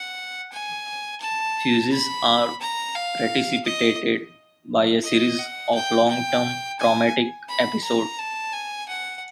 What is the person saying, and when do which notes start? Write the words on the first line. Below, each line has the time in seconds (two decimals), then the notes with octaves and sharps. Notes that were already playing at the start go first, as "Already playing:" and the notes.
Fugues are precipitated by a series of long-term traumatic episodes.
Already playing: F#5
0.52 G#5
1.21 A5
1.91 B5
2.61 A#5
2.95 F5
3.65 D#5
5.04 D#5
5.39 F#5
5.75 G5
6.08 G5
6.79 G#5
7.48 B5
7.84 A#5
8.19 A5
8.53 G#5
8.88 F#5